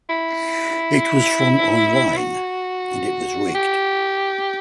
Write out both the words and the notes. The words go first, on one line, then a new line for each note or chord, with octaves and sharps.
It was from online, and it was rigged.
E4
F#4
G4